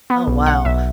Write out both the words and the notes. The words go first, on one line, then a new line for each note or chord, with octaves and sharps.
Oh, wow.
B3
B1
B1 F#5
B1 E5